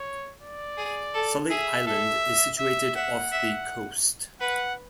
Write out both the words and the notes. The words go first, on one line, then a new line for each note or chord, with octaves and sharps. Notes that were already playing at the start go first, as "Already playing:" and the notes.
Sully Island is situated off the coast.
Already playing: C#5
D5
G#4
A4
G#4 E5
A4 E5
E5
E5 F#5
E5
B4 F#5